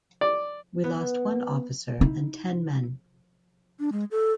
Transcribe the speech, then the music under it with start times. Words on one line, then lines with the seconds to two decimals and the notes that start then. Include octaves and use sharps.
We lost one officer and ten men.
0.21 D5
0.84 B3
2.01 D#4 E4
3.79 D4
3.92 G#3
4.11 A4